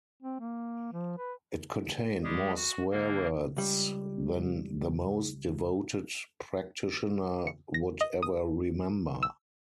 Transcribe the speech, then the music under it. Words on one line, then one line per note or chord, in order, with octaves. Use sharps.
It contained more swear words than the most devoted practitioner would ever remember.
C4
A#3
F3
B4
G3 G#3 G4 G#4
F#4
D3 A#3
C#2 G3
C#7
A#6
D#5
D#6
E6